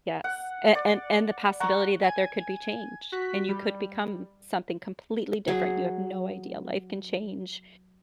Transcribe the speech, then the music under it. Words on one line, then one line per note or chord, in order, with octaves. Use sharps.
Yes, a an and the possibility that there could be change, and you could become something completely different. You have no idea, life can change
F#5
D5
F#5 A#5 C#6
G#5 G#6
F#4 F#6 B6
G3
F#3 G#4